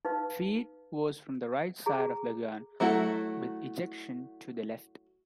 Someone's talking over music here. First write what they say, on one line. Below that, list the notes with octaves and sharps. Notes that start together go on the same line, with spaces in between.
Feed was from right side of the gun, with ejection to the left.
D#4 B4 F5
G#4 A#5
F#3 A3 E4 F#4